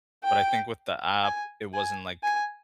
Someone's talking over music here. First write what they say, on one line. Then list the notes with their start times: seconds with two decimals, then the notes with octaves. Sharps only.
but I think with the app, it wasn't, like,
0.24 G5
1.24 G#5
1.74 G#5
2.24 G#5